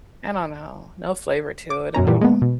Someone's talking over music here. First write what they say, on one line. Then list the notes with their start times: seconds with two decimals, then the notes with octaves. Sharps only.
I don't know, no flavor to it at all.
1.70 D6
1.94 F#2 B2 C#4 A#5
2.07 A#2 E3 G3
2.21 G#3 A#3 B3
2.42 B2